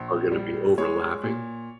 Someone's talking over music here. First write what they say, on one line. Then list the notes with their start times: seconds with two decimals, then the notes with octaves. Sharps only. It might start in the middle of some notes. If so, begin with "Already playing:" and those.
are going to be overlapping.
Already playing: A#1
0.32 G3
0.78 G#3 C#5
1.23 A#2